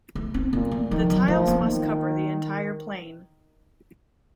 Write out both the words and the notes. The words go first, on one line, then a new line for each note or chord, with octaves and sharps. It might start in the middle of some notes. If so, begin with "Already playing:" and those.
The tiles must cover the entire plane.
A3
C4
A#2 A#3
A3
D#3 F3
F#3
F3 A3
A#3
D#3